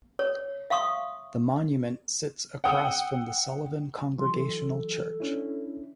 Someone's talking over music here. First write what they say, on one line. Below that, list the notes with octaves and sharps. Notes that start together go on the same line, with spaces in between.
The monument sits across from the Sullivan Congregational Church.
C#5
E5 F5 C6 C#6 D#6
F#5 G5 D#6 E6
E3 F#3 C6
A4
C#4 D4 E4